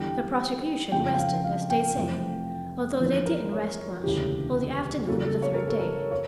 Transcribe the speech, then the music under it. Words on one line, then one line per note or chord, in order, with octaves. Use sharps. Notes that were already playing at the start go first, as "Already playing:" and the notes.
The prosecution "rested," as they say, although they didn't rest much, on the afternoon of the third day.
Already playing: E2 D3 G3 G5
F2 C#3 F3 G5
G5
F5
F5
G5
F1 F2 E3 A3
E2 D3 F3
A#4
C#5
E1 D2 C#3 E3 G4
E2 C#3 G3 A#3 A4
A4
C#5
A#4
A4
A#4
C#5